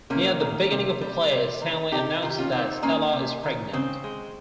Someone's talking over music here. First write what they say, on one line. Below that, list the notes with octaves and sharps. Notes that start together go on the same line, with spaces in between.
Near the beginning of the play, Stanley announces that Stella is pregnant.
C3 A#3 C#4
D#3
C3
G3
C3
D#3
C3 D#4 G4
D#3 F4
G4
C#4 F4
C3 C4 D#4
G#3 A#3 C#4
C3
D#3
C#3 C4
G#3